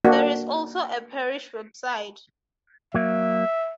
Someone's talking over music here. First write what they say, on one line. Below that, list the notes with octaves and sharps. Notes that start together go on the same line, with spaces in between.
There is also a parish website.
A#3 D4 F#4
F#3 A#3 E5